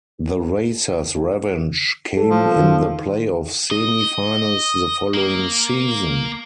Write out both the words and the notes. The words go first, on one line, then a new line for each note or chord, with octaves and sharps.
The Racers' revenge came in the playoff semi-finals the following season.
G3 A4
F3
D#3
D#5
A#3